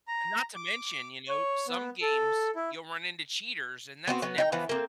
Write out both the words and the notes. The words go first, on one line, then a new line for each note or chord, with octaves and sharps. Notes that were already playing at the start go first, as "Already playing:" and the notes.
And not to mention, you know, some games, you'll run into cheaters, and that's never fun.
A#5
D6
C#5
B3
A4
E4
B3 C4 F#4
F#3 B3
D#4 G5
E3 F3 B3
A#3 C4